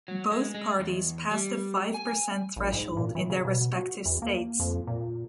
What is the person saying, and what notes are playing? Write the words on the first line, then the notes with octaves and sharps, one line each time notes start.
Both parties passed the five-percent threshold in their respective states.
F#3
G#3
G#3
E2
G3
G#5
A#1
G#2
A#2
E3
C#3
B2
F#4
E2
A#3
F2
A#2